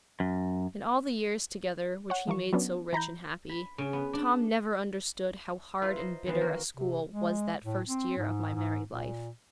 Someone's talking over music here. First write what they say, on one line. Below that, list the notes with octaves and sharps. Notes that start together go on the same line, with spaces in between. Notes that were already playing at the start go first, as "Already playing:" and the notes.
In all the years together, which he made so rich and happy, Tom never understood how hard and bitter a school was that first year of my married life.
F#2
C#5 F#5
E3 F3 A#4 C#6
F#3 B3 C#4 D4
E3 A#5 B5 G6
B5
C#3
B3
D4
E4 F4 B4 A#5
C5 D#5
D#3 E3 B3 C5
A#3 F#4 A#4
C3
G#3
A2
C4
G#2
G#2
A#2